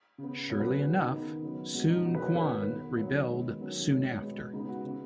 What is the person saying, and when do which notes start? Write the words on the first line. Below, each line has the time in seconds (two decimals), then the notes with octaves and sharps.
Surely enough, Sun Quan rebelled soon after.
0.18 C#3 B3
0.50 B2 F#3 B3 C#5
0.60 B4
0.71 G#4
0.80 C#3 B3 F#4
0.96 D#4
1.12 D#3 B3
1.42 C#3 F#3 B3
1.74 B2 G#3 C#4 F#4
1.89 D#4
2.05 B2 F#3 B3 F#4
2.15 B4
2.26 C#5
2.35 D#3 B3 B4
2.67 B2 B3
2.97 D#3 F#3 B3 C#5
3.28 D#3 G#3 B3
3.60 D#3 F#3 C#4
3.90 B2 G#3 B3 C#5
4.21 B2 G#3 B3
4.53 C#3 G#3 B3 D#4
4.69 F#4
4.84 C#3 B3